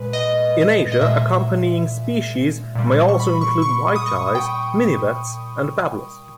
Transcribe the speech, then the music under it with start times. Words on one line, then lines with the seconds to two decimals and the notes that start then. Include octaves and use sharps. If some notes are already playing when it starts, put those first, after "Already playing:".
In Asia, accompanying species may also include white-eyes, minivets and babblers.
Already playing: A#2 G#3 B4
0.13 D#5
0.92 D#5
1.01 A#2 G#3 E5
2.75 A#2 G3
3.08 C#6
3.20 B5
3.41 C#6
3.62 C#6
3.96 D#6
4.06 C#6
4.35 G5